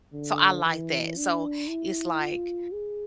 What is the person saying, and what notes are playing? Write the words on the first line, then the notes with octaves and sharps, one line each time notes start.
so I like that. So it's like
D3
E3
D4
E4
F4
G#4